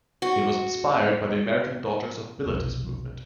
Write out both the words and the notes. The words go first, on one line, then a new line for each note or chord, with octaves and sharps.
It was inspired by the American Daughters of Bilitis movement.
F#4
F1 B1